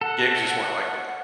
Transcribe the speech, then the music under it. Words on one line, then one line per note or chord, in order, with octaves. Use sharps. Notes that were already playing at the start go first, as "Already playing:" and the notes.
Games just weren't like that.
A4 F#5